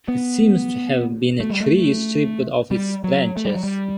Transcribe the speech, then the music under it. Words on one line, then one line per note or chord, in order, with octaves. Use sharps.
It seems to have been a tree stripped of its branches.
B3
A3
G3
A3
G3
F#3
A3
G3
F#3
G3